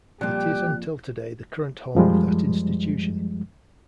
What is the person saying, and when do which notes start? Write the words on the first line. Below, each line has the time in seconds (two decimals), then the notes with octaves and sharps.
It is until today the current home of that institution.
0.21 F2 A#2 G3 G4 F#6
1.95 F#2 F3 G3 G#3